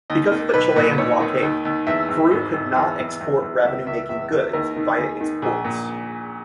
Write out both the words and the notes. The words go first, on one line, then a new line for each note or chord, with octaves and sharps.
Because of the Chilean blockade, Peru could not export revenue-making goods via its ports.
D#2 D#5
D#3
B1 B4
A#2
D#2 C#5
D#3
D#2
D#2
E2 E5
E2
G#1
G#1
E2
E2
E2
E2
C#2 E5
C#2 E5
E2 E5
E2
D#2 A#4
D#3
D#2 G#4
D#3
A#1 G#4
A#2